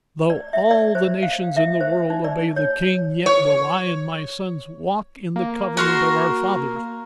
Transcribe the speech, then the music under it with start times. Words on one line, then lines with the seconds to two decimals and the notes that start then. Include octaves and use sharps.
'Though all the nations in the world obey the king, yet will I and my sons walk in the covenant of our fathers.
0.30 D5
0.53 E5
0.71 D5
0.95 C5
1.23 F5
1.57 E5
1.81 C5
2.10 D#4
2.24 D5
2.56 C#5
3.26 C#5
5.36 A#3
5.77 F#4 A#4 C6